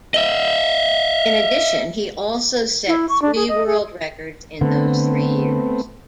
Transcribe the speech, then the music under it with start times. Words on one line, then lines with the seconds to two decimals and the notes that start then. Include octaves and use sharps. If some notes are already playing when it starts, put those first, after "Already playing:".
In addition, he also set three world records in those three years.
0.14 D#5 E5
2.87 E4
3.09 C#6
3.22 D4
3.36 G#4
3.48 D#5
3.66 G#4
4.61 D3 A3 B3 C4